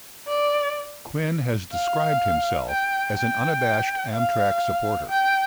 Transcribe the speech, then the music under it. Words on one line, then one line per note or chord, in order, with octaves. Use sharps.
Quinn has described himself as an unabashed Amtrak supporter.
D5
F5
G5
G5
F5
G5